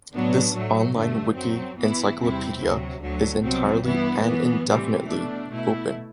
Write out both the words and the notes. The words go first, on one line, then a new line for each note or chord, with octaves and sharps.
This online wiki encyclopedia is entirely and "indefinitely" open.
A2 F#3 B3 D4
A2 F#3 A3
G2 D3 A3
F#2 F#3 C4
F#2 E3 B3 E4
E2 C3 G3 C4 E4
D2 C3 F#3
D2 D3 F#3
C2 B2 F#3 C4
G2 E3 B3 E4
F#2 E3 B3
A2 E3 G3 C4
B2 A3 D4
B2 A3 E4